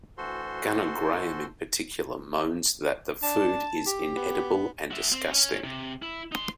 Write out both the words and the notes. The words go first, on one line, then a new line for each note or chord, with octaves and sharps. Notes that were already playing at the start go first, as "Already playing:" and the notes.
Gunner Graham in particular moans that the food is inedible and disgusting.
D2 E3 F#4 A4 C5 C6
D4 A5
G4
B3
F#4 E5
C4
C#4
C3
E4
D#4 C6